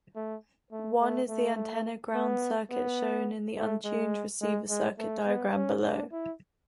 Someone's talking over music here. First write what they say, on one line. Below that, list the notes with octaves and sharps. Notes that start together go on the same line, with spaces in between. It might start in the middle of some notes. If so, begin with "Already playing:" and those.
One is the antenna-ground circuit shown in the untuned receiver circuit diagram below.
A3
A3
A3
A3
B3
B3
A3
G#3
G#3
G#3
A3
B3
C#4
D4
E4